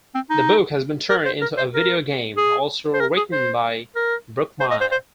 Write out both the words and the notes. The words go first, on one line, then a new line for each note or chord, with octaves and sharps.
The book has been turned into a video game, also written by Brookmyre.
C4
D#4
A#4
C5
A#4
C5
A#4
G#4
C5
A#4
G#4
C5
A#4
C5
D#5
C5
C5